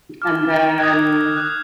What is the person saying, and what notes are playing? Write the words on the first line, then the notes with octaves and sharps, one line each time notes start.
and then,
D6 F6
D#6 F#6 G#6
D#6 F#6